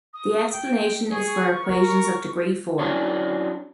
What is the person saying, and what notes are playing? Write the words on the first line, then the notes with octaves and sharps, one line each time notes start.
The explanation is for equations of degree four.
D#6
G5
G#4 C#6
A#4
F#3 C#4 D4 E4 C#5